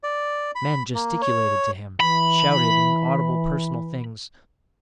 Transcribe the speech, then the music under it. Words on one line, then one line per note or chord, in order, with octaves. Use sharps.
Men gesticulated to him, shouted inaudible personal things.
D5
B5
A#3
C#5
E3 B5